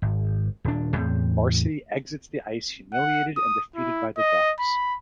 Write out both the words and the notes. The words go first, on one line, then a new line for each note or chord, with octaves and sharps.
Varsity exits the ice humiliated and defeated by the Ducks.
G#1
D#1 D4
E2 A2 C4
F#5
D#6
E4
D#5
B5